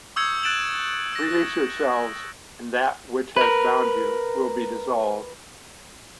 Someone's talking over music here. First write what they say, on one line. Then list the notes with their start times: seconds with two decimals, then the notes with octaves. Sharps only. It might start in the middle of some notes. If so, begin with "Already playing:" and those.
Release yourselves, and that which has bound you will be dissolved.
0.16 C#6 D#6 E6 G6 G#6 C#7
0.43 F#6 A6 D7 E7 F#7
1.13 E6 A#6
3.37 A#4 B4